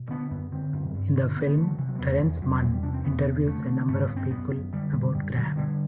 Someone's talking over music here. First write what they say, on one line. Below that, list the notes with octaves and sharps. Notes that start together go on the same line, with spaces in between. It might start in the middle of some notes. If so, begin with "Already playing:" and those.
In the film, Terence Mann interviews a number of people about Graham.
Already playing: B2
D3 B3
F#2 B3
D3 C4
F#2
G2
D3
D3 B3
B3
D3 A3
F#3
C3 E3
F#3
A3
E2 B3
A3
E2 E3
E2 F#3
E2 F#3
G3
C3 D4
C4
E2 B3
C3
D3 A3
D3
G2 A3
B3
G2
C4
F#2 B3
F#2
D3 G3
F#2
F#2 G3
D3 F#3
D3 G3